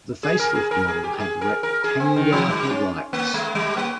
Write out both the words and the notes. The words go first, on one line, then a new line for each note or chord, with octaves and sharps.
The facelift model had rectangular headlights.
G#4
A#4
G#4
A#4
G#4
G4
G#4
A#4
A#4
G#4
C4
D#3
F3
G3
C#4
A#3
G#3
G3
A#3